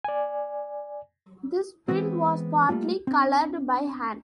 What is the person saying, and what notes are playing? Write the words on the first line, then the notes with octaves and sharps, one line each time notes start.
This print was partly coloured by hand.
D5 G#5
E3 G#3 B3 C4
G3 A3 A#3 F4
C4 D4